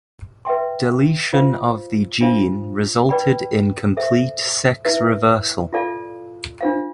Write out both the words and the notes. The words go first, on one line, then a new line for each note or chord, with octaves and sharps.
Deletion of the gene resulted in complete sex reversal.
B4 E5 G5 C6
F4 C5 F5
D4 F4 C5 F5
B4 D5 G5 B5
A4 C5 E5
E4 B4 E5
F4 A4 D5 F5 A5
D4 F4 C5 F5